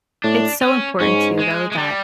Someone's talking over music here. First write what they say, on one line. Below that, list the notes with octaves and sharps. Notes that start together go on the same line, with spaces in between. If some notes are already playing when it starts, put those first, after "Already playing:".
it's so important too, though, that
A2 D4
C#4
G#2 C#4
G#3
G#3
G3